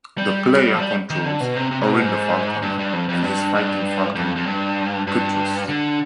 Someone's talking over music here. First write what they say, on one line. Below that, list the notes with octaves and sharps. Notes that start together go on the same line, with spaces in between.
The player controls Orin the Falconer and his fighting falcon Cutrus.
G3
F3
G3
D#3
D3
B2
C3
C3
C3
B2
G#2
G2
G2
F2
F2
G2
G2
F2
F2
G2
G2
D3